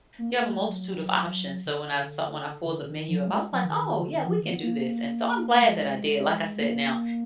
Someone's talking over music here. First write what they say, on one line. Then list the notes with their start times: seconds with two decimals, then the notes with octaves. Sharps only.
you have a multitude of options." So when I saw when I pulled the menu up, I was like, "Oh, yeah. We can do this," and so I'm glad that I did. Like I said now,
0.18 A#3
0.30 B3
0.42 A#3
0.55 G#3
0.68 F#3
1.66 D3
2.65 D3
2.89 D#3
3.09 F3
3.15 F#3
3.27 G#3
3.52 F#3
3.65 D#3
3.76 D#3
3.89 D#3
4.01 D3
4.13 D#3
4.25 F3
4.39 D#3
4.50 B3
4.62 A#3
5.51 A#3
5.62 G#3
6.56 G#3
6.60 A#3